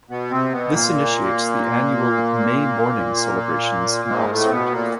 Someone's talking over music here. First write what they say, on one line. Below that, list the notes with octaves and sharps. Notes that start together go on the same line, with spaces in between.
This initiates the annual May Morning celebrations in Oxford.
B2 B3
C3 C4
B2 B3
A#2 A#3
G#2 G#3
A2 A3
C4
B2 B3
A#2 A#3